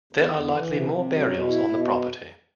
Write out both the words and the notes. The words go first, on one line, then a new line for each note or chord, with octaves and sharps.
There are likely more burials on the property.
E2
E2
E3
C3
C3
F#3
B2
E4
B2